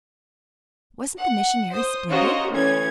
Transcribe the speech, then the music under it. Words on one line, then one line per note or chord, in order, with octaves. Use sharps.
Wasn't the missionary splendid?
F#5
C5 D#6
C#4 F4 F#4 A#4 C5 D#5
D2 E3 C#4 G#6